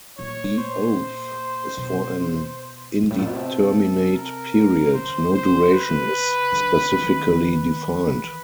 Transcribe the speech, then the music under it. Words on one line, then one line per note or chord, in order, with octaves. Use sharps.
The oath is for an indeterminate period; no duration is specifically defined.
A#2 C#5
C5
B2
G#2
A2
A#2
B2
C3 A4
A#4
C#3 C5
C5
B4
D3
D#3
B4
E3